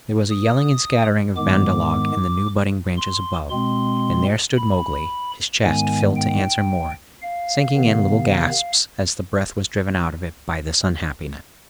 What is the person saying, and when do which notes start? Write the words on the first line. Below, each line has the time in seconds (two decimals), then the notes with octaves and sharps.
There was a yelling and scattering of Bandar-log in the new-budding branches above, and there stood Mowgli, his chest, filled to answer Mor, sinking in little gasps as the breath was driven out of it by this unhappiness.
0.30 D#6
1.36 G#2 D#3 G#3 B3 D6
2.97 C6
3.50 B2 G#3 C4 C6
4.57 B5
5.63 G#2 D#3 G#3 B3 G#5
6.16 G5
7.23 F5
7.76 C3 D#3 B3